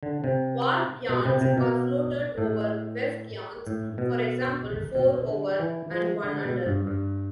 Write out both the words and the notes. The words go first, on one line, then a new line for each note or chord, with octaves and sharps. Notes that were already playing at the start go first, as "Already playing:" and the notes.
Warp yarns are floated over weft yarns, for example four over and one under.
D3
C3
B2
C3
C3
B2
A2
A2
B2
B2
D3
E3
F3
D3
B2
G2
G2